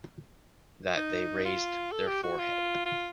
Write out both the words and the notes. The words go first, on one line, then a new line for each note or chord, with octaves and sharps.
That they raised their forehead.
D#4
F4
A4
G4
F#4
F4
F4